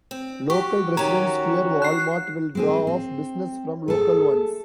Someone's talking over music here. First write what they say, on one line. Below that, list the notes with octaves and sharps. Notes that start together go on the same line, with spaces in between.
Local residents fear WalMart will draw off business from local ones.
C4
F#4 G4 C#6
D#3 C#4 G4 A#5
F#6 C7
G#3 C4 G#4
C4
A3 G#4 A4